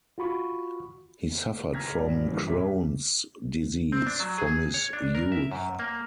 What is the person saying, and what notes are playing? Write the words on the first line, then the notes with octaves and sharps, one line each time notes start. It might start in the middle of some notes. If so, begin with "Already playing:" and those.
He suffered from Crohn's disease from his youth.
F4 F#4 B5 C#6
A#5 F6 G#6 A#6 B6
G#1 A#4 D5
E3 G3 C#4
B1 G#4 E5 D6 B6
C4
D4
F#3
G#4
C#5
D4
A#4
E5
F#2
A#3